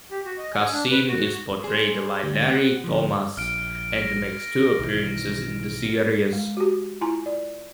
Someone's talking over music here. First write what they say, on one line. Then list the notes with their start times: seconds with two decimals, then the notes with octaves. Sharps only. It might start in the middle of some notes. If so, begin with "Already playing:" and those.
Kassem is portrayed by Larry Thomas and makes two appearances in the series.
0.11 G4
0.25 F#4
0.38 D#5
0.54 G#5
0.72 D4
0.91 B4
1.08 F#4
1.64 G#4 C5
2.23 D2
2.48 C4 F#5
2.84 D2 F3
3.37 A#1 F6 D7
4.02 A#6
4.79 B1 D#3 E3
6.33 G#3
6.57 F#4 G4
7.01 E4 F4 G#5 A#5 C6
7.26 D5